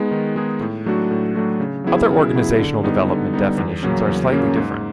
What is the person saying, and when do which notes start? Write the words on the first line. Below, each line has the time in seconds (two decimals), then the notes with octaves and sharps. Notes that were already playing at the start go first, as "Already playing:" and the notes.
Other organizational development definitions are slightly different.
Already playing: G#3 B3 D#4 G#4
0.11 D#3
0.36 G#3 B3 D#4 G#4
0.61 A2
0.86 F#3 A3 D4 F#4
1.11 A2
1.35 F#3 A3 D4 F#4
1.60 C#3
1.84 F#3 B3 E4 G#4
2.10 C#3
2.34 F#3 B3 E4 G#4
2.59 D3
2.83 G3 B3 D#4
3.08 D3
3.34 G3 B3 D#4
3.58 E2
3.83 C#3 F#3 A#3 C#4
4.08 E2
4.32 C#3 F#3 A#3 C#4
4.56 G#2